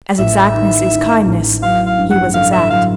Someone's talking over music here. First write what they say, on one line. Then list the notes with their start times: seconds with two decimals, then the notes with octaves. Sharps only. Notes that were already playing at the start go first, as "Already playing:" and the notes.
As exactness is kindness, he was exact.
0.18 A1 E5
0.55 D#3
0.90 D#3
1.26 A1
1.62 F#3 F5
1.86 F5
1.98 G2
2.11 F#5
2.34 D3 F5
2.53 E5
2.70 F#3 F5